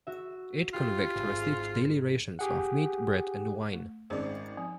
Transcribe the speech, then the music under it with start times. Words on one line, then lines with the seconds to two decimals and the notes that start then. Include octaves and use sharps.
Each convict received daily rations of meat, bread, and wine.
0.07 F#4 E5
0.74 F4 G4
1.15 G#1
2.39 G4 G#4 F#5
3.73 A3
4.10 G#1 G#3 C#4 G#4 C5 D5
4.57 F3 C4